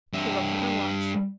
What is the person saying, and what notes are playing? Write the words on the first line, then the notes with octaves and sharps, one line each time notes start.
She looked at her watch.
G2 E5